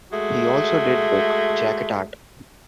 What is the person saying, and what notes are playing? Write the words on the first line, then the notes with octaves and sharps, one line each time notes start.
He also did book jacket art.
G#3 A3 F#4